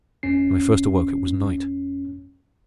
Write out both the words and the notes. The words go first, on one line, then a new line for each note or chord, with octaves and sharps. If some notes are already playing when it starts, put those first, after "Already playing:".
When I first awoke, it was night.
G1 F2 C#4 C7